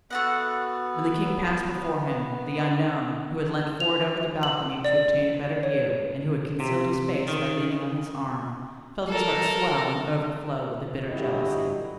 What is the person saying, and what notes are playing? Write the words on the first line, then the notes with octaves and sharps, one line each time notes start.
When the king passed before him, the unknown, who had leant forward over the balcony to obtain a better view, and who had concealed his face by leaning on his arm, felt his heart swell and overflow with a bitter jealousy.
A3 B3 F#4 F#5
F7
F#7
D5
C#5
C3
D#3
A4 A#4
G1 G2 F#3 E4 G4 D#5